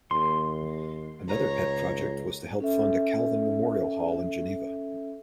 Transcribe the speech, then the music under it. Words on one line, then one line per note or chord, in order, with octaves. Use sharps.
Another pet project was to help fund a Calvin memorial hall in Geneva.
D#2 C6
C#2 C#5 A#5
C#4 A4 E5